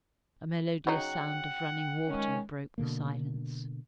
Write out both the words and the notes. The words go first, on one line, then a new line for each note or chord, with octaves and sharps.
A melodious sound of running water broke the silence.
C#3 F#3 D#4 F#5 G5
D#3 G#3 C#4
B2 D3 A#3